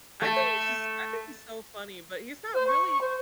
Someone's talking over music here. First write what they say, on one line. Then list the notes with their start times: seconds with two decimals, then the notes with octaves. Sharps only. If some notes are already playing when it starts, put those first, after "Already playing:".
I think he's just I think he's so funny but he's not really
0.22 A3
2.53 C5
2.67 C#6
3.01 C5